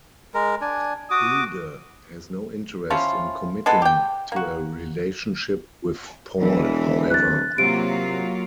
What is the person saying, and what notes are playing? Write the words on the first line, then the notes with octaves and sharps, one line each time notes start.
Hilde has no interest in committing to a relationship with Paul, however.
G#3 A#4
D4 G#5
F#4 D6 D#6
F3 C#4 E4 F4
G#3 B3 A4
G4 G5
A#3 F#4
E1 E3
D1 F#6 A6
C3 F#3 A#3 F4 D7